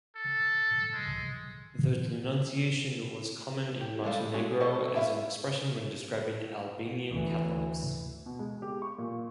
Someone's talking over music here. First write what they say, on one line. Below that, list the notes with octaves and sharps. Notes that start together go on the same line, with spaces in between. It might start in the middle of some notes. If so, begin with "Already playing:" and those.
The denunciation was common in Montenegro as an expression when describing Albanian Catholics.
A4
G#3
G4
G3 G#3 A4 F5
G#3 F#4 G#4
F#4 A4 C5 D#5
E4 E5 F5
D2 E3
B2
G#3
G4
C#6
A#2